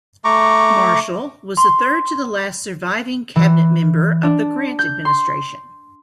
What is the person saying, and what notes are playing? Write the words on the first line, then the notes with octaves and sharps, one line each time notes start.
Marshall was the third to last surviving cabinet member of the Grant Administration.
A3 A#5 C#6 D6
C6
E3
D4
G6
C6